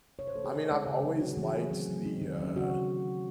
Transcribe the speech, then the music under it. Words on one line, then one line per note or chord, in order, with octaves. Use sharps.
I mean, I've always liked the, uh
C3 C#5
C5
E3 A3 C#4 A4
G#4
C3
D#3 G#3 C4 D#4
C#3
F#3 C4 D#4
C#3 F#4
G#4
E3 A3 C#4
G#4
D#3
F#3 C4
F#3
C4 D#4
D#3
F#3 C#4
C#3 F#4